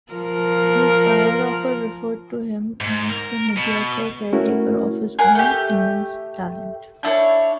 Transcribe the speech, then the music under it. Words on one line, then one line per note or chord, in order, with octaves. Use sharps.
His biographer referred to him as the "mediocre caretaker of his own immense talent".
F3 A#4
G#2
A#4
B2
A3 C#4 E4 F#4 A#4
G#4 A#4 F#5 A#5
A3 G4
D4 E4 A4 C#5